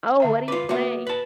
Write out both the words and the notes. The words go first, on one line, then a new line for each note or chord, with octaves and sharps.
Oh, what do you play?
D3 E5 A#5
F4 B4 D6
A#3 B3 F#4 E5
B4 A5